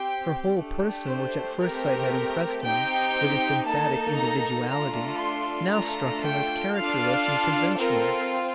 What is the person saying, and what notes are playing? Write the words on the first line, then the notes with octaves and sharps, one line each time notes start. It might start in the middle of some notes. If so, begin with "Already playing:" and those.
Her whole person, which at first sight had impressed him with its emphatic individuality, now struck him as characterless and conventional.
Already playing: C4 G4 G5
A3 D4 G4
C5
A3 C4 G4 A#4
C4 D#4 G4 G5
A#3 D#4 A4 A5
A#5
A3 D4 F4 A4 A#5
C6
A3 D4 F4 A4 A#5
G5
D4 F4 A4 F5
C4 F4 A4 A#4